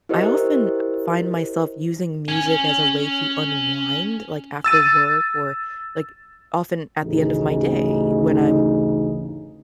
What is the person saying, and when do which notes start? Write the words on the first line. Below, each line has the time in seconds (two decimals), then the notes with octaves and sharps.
I often find myself using music as a way to unwind, like, after work or, like, often at the end of my day when I'm
0.09 E4 G4 A#4 C5 D#5
2.29 C#4 G#5
4.64 E6 A6 D#7
7.03 A1 D2 C#3 D#4